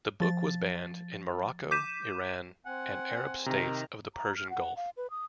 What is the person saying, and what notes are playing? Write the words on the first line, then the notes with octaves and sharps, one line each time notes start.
The book was banned in Morocco, Iran, and Arab states of the Persian Gulf.
F3 A6
D6 G6 B6 D#7 E7
C4 F#5 G#5
C3 D#3 A#5
A#5
F6
F#5
F5
B4
D#6